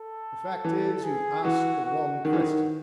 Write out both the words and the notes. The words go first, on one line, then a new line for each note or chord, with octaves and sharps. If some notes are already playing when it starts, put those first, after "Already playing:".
The fact is you've asked the wrong question.
Already playing: A4
E3
G#4
E3 F#4
F#4
D#3 F#4
E3
D#3